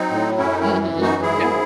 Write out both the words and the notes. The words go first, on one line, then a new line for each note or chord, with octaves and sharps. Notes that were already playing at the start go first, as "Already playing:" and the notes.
Mhm, yeah.
Already playing: F#3 C4 D#4
A2
F#2 C#4 E4
D#4
C#4 E4
E3
F#2
D#4 F#4
G#2 E4 G#4